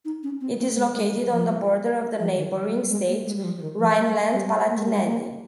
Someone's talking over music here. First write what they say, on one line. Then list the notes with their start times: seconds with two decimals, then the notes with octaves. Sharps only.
It is located on the border of the neighbouring state Rhineland-Palatinate.
0.05 D#4
0.23 C#4
0.41 C4
0.59 A#3
0.77 G#3
0.94 G#3
1.12 G3
1.30 F3
2.19 F3
2.37 D#3
2.73 G3
2.90 G#3
3.08 A#3
3.26 G#3
3.37 G3
3.44 F3
3.56 F3
3.62 D#3
3.79 F3
3.98 G3
4.15 G#3
4.33 G3
4.68 A#3
4.77 G#3
4.86 G3
4.94 G#3
5.04 A#3